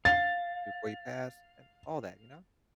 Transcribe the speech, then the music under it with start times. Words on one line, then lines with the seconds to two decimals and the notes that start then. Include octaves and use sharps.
before he passed, and all that, you know?
0.05 F5 A6